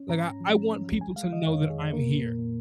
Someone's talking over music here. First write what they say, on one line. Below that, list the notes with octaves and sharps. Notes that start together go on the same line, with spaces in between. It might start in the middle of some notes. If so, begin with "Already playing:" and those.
like, I I want people to know that I'm here.
Already playing: C#4
G#2 A#5
C#4
F3
C#4
C#4
F3
G#3 G#5
G#3 F5
D#3 D#5
F2 C#5
D#3
G#4
F2
A#3 A#4
A#2
A#2
A#2